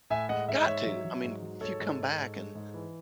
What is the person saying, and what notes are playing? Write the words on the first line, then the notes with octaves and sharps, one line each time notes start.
Got to. I mean, if you come back and,
A2 E5 G#5
G#3 D#5 F#5
G#2 E5
D#5
G#2 C#5 E5
F#3
F#3
G#2
F#3
G#2 A4 C#5
G#2
G#2
G#2
G#3
G#2
E3